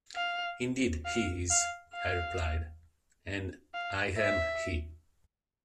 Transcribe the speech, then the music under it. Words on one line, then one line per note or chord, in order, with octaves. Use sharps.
'Indeed he is,' I replied, 'and I am he.
F5
F5
F5
F5
F5
E5